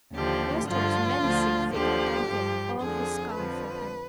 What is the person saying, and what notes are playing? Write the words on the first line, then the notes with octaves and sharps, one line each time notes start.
Westall's menacing figure darkened all his sky for him.
D#2 D3 F3 G4
G2 D3 F3 F4
D2 D3 F3
D#2 D3 F3 G4
G2 F3
F2 D3 F3 G#4
F2 D3 F3 B4